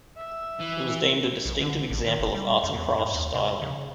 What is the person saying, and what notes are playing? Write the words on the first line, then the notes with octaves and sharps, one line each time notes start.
It was deemed "a distinctive example of Arts and Crafts styling".
E5
E3
B1
D3
A1
D#3
F#1
G3
F2
E2
G#2
D#2
C3
C#3